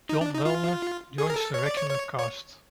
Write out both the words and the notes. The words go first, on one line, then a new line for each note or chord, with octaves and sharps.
Jon Wellner joins the regular cast.
D#4
D4
D#4
F4
G#4
A#4
A4
C#5
D5
C#5
C#5
C#5